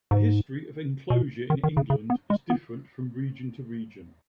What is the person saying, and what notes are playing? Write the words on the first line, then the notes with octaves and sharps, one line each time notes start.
The history of enclosure in England is different from region to region.
G#2
B2
D#3
D#3
C#3
C#3
B3
G#3
B3